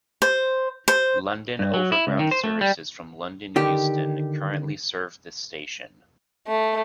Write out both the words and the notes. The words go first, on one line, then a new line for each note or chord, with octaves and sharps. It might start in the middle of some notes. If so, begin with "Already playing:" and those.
London Overground services from London Euston currently serve this station.
C5
C5
G2
F#3
E4
C#2
D#3
C5
A3
G3
D3 D#3 G4
A3